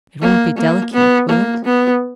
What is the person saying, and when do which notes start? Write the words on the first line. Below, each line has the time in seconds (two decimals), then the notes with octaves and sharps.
"It won't be delicate, will it?"
0.22 A#3
0.57 A#3
0.93 B3
1.29 A#3
1.64 B3